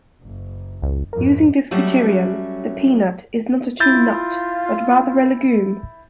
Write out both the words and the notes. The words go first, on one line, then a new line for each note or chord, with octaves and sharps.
Using this criterion, the peanut is not a true nut, but rather a legume.
F#1
C#2
F2 G#2 A#4
F#3 G3 A3 C#4 F#4
E4 F4 G6 A6